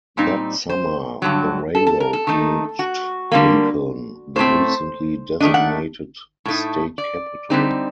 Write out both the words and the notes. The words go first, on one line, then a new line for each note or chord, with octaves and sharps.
That summer, the railroad reached Lincoln, the recently designated state capital.
A#2 G3 C4 D#4
C5
G2 D3 F#3
A4
A4
A#4
A4
D#3 A3 D#4
F#4
D3 G3 A#3
A2 A3 C4 C5
D#3 A3 D4 D#5
F#5
A2 A3 D#4
D5
D3 G3 C4 D#4